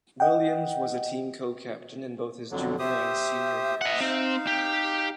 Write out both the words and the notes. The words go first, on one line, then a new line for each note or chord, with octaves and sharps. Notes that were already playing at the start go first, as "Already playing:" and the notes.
Williams was a team co-captain in both his junior and senior years.
D#5 F#5 G5
F2 D3 F#3
G4 C5 E5 D#6
D#5 F#5
C4 D#4 F5
G4